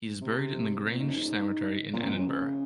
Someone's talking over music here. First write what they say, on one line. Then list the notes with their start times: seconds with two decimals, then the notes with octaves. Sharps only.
He is buried in the Grange cemetery in Edinburgh.
0.21 C3
0.91 A#2
0.99 G#2
1.07 F#2
1.16 G#2
1.93 A#2
2.02 F#2
2.10 F2
2.18 F#2
2.27 C#3